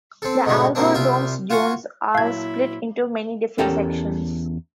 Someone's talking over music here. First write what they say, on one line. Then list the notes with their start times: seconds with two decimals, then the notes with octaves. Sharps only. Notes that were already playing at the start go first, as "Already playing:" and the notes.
The Algodones Dunes are split into many different sections.
0.22 C4 A4
0.46 G#2 B2 D3 G#3 A3
0.75 G2 B2 A#3 C4 D4
0.94 C2 F4 G4 E5
1.50 F4 F#4 F#5 G#5 C#6
2.15 A#2 F#3 E4 F5 G#6
3.58 E2 C#4 G4 A4 A#4 A5